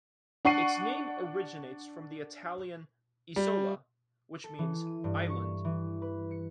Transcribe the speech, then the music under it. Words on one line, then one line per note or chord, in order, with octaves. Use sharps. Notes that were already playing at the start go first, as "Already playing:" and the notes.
Its name originates from the Italian "Isola", which means 'island'.
D4 F#5 C#6 C7 D#7
G3
A4
E3
D#7
G2
C#6
E3
B4
C#7